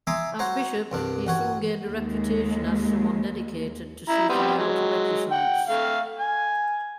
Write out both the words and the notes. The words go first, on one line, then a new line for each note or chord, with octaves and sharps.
As bishop, he soon gained a reputation as someone dedicated to seeking out recusants.
E5 G#5 A#5 C6 D6 D#6
F#4 C5 C#5 A#5
C2 G2 D4
A1 F#4 C#5
D#2 G#3
E4 A#5
G3 B3 C4
F#3 G#3
F#5 G5
A3 F5
G#5